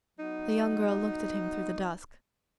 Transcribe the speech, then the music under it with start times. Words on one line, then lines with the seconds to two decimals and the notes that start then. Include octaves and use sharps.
The young girl looked at him through the dusk.
0.19 F#3 B3 D#4